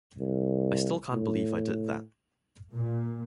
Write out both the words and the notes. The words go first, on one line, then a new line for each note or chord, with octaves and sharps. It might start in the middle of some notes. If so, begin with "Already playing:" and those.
I still can't believe I did that.
C2
A2
A#2